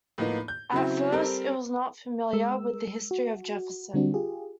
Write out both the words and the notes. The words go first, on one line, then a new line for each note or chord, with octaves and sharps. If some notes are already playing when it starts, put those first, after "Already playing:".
At first, it was not familiar with the history of Jefferson.
A2 F3 A#3 B3 D#4
G6
C#3 F#3 C4 E4
G3 C4 G4 A4 A#4
G#3 A#4 E6
F#4
D3 G3 C4 D4 F#4
F4 G4 G#4